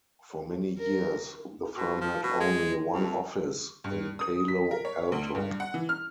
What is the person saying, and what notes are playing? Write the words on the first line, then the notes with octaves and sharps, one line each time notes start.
For many years, the firm had only one office, in Palo Alto.
A#4
B2
F3
B2
G#3
F2
G2
D#6
B6
A#4
C#5
D2
G2
F#5
E3
F6